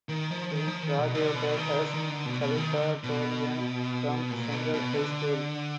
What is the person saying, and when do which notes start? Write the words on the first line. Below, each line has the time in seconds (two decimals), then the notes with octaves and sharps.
He graduated as salutatorian from Central High School.
0.09 D#3
0.30 F3
0.51 D#3
0.67 F3
0.82 D#3
0.98 B2
1.15 D3
1.35 B2
1.57 D#3
1.78 D3
1.94 D#3
2.09 D3
2.26 B2
2.41 B2
2.57 D#3
2.73 D3
3.04 B2
4.31 A#2
4.52 B2
4.74 B2
4.94 D3